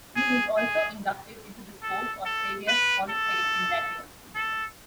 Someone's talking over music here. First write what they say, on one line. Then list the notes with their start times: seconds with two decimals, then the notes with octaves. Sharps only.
He was also inducted into the Sport Australia Hall of Fame in that year.
0.16 G#4
0.57 G#4
1.83 A4
2.25 A4
2.68 B4
3.10 A4
4.35 A4